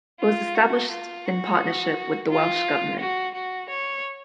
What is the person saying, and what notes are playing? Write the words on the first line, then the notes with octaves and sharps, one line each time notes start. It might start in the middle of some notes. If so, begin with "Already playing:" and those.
It was established in partnership with the Welsh Government.
F4
F#4
F4
F#4
F4
F#4
F#4
C#5